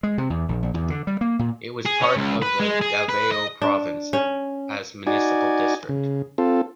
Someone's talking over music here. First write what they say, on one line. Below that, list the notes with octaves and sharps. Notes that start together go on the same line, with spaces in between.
It was part of the Davao province as Municipal District.
G#3
C3
E2
A#1
A#1
E2
D3
G3
A#3
A#2
G#4
C#4
C#2
B4
G#3
G#4
B4
D#5
D4
C#4
D#4 F#4 D5 G#5
C#3
C4 F4 A4